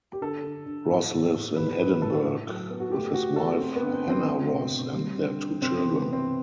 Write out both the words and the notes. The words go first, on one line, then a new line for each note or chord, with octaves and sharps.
Ross lives in Edinburgh with his wife Hanna Ross and their two children.
G4
D3 A4
D3
D3
A2
A2
A2
A2 B4
A2 B4
A2 A4
A2
F#3
B3
F#4
A3 G4
A3 F#4
A3 A4
A3 C4
B3
D3
C4
D3 C4
A3
B2
B2
G3
D3
D3
C3 C4
C4
E3
B3
C3
C4